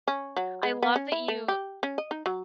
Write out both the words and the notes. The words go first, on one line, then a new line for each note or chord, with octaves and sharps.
I love that you
C#4
F#3
G#3
B3
C#4
E4
A3
G4
C#4
D#5
D#4
F#3